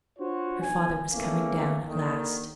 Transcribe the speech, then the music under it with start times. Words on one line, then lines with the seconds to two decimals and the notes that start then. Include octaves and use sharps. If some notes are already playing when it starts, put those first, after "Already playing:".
Her father was coming down at last.
0.19 D4 F4 F#4 C5 C#5
0.61 B1 G#5
1.11 E2 E3 A3 A#3 C#4
1.85 D#2 D3 D#3